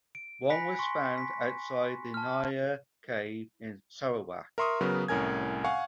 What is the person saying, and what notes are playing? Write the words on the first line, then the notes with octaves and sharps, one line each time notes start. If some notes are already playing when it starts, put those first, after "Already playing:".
One was found outside the Niah Cave in Sarawak.
D7
G#5 B5 F#6 A#6 B6 C#7
C6 C#6 B6
B6
A5 F6
A#4 E5 C6 C#6 D#6
C#3 F#3 B3 A#4 B4
C2 A2 C#4 A#4 G#5 G#6
F5 F#5 G#5 C#6